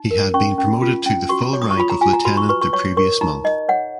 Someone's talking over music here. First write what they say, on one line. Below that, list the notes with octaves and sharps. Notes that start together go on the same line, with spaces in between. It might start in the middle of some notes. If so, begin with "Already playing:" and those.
He had been promoted to the full rank of lieutenant the previous month.
Already playing: D#4
A#4
C#4 C#6
C#4
F4
C#4
F#4 C#6
C#5
D#6
C#6
F4 B5
A#5
F4 G#5
A#5
F#4 B5
C#6
B4 C#6
C#6
C#5 C#6
A#4 C#6
D#4 A#5
D#4 D#5
C#5 F#5